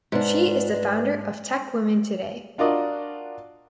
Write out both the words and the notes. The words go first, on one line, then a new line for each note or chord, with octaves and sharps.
She is the founder of Tech Women Today.
G#2 D4 B4
D4 F4 F#4 A#4 D5 D#5